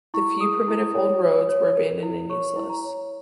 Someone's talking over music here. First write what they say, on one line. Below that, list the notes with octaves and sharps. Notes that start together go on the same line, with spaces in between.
The few primitive old roads were abandoned and useless.
E4 C#6
G#4 D#6
E4
C#5
C#5
C#5
A#4
E4
C#5 C#6
E4
A#5
C#5